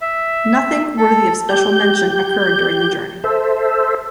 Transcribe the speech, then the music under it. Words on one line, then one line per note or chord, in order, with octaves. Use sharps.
Nothing worthy of special mention occurred during the journey.
E5
A4
G4 G6
A4 C5 E5